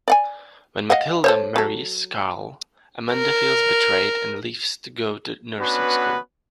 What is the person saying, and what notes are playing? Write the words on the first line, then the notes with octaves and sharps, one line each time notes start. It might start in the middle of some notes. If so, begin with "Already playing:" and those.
When Mathilda marries Carl, Amanda feels betrayed and leaves to go to nursing school.
D5 F#5 G#5
D#5 F5 F#5
A4 C5 C#5
F#3 A4
A#4
B3 C#4 D4 F#4 B4